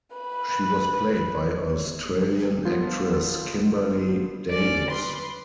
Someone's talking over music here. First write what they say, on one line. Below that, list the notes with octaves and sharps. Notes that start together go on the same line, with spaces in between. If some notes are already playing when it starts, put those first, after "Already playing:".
She was played by Australian actress Kimberley Davies.
B4 B5
F3 B3 F4
C#4 D5
B4 C6